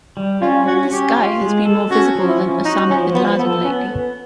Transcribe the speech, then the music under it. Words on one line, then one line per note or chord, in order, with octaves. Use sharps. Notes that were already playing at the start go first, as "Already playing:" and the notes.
This guy has been more visible than Osama bin Laden lately.
G3
C#4 F4
C#4 F#4
C#4 G4
F4
G#3
A4
C#4 F#4
F3
E4
C#4
D#4 F#4
F3 C#4
F3 B3
B3 A4
B3 C#4